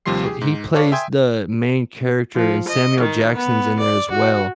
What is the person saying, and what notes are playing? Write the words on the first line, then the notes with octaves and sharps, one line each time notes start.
So he plays the main character and Samuel Jackson's in there as well.
D#2 C3 F3 G3 C6 C7
G4 G#4
G#2
A4 B4 C#5 D5 F5
E5 G5 G#5 C6 D#6 G#6
F3
D#5
D#3
B3
D5
F#4